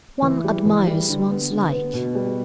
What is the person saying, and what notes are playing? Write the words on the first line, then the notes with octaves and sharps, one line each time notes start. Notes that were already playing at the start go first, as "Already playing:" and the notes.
One admires one's like.
E3
G3
E3
G3
D3
B3
D3
B3
B2
G3